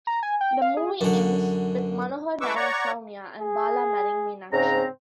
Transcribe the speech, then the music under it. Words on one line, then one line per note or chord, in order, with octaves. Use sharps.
The movie ends with Manohar marrying Sowmya and Bala marrying Meenakshi.
A#5
G#5
G5
F5
G#4
F#2 D3
G#3 E4 B4 C#6 D6 E6
C#5 D5 F#5 A#5 C#6
G#4
G#2 C#3 C4 A#5